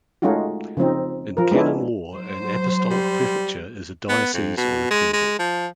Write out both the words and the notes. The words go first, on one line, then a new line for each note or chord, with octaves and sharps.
In canon law an apostolic prefecture is a diocese on approval.
G#3 A3 C#4 D#4 F4 F#4
C#3 F3 C4 D#4
F3 A#4
G#3 B3 C#4 D4 E4
F#3 C5
G3
B3
F2
B2
G#3
G#3
F3